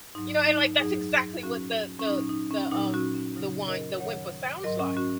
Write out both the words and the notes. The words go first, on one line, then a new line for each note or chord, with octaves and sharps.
You know? And, like, that's exactly what the the the, um, the whine the whimper sounds like.
G#2 F#3 D#4
D#4
F#2 F#3 D#4 G#4
A#2 F#3 C#4 F#4
C#4
A#2 F#3 D#4
D#4
C#4
A#2 F#3 D#4
C#4 F#4
C#4
F#2 C#3 F#3 D#4
A#4 D#5
F#2 D#3 F#3 C#5 F#5
G#2 F#3 A#4 D#5
C#4
C#4 F#4